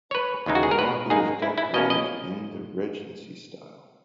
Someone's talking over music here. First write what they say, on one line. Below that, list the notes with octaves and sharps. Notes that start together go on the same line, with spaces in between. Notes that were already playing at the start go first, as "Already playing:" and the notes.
The lobby is decorated in the Regency style.
C#5
B4
D#2 C#3 E3 G#3 D#4
F#4
G#4
A#4
B4
G#2 D#3 A#3 D#4 G#4
E4
E4
B2 A#3 C#4 D#5
D#5